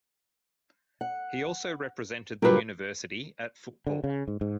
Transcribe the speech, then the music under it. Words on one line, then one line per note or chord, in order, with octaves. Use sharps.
He also represented the university at football.
F#5
G2 A#2 C#3 F#3 G4 A#4 B4
D3
C#3
G#2
G#2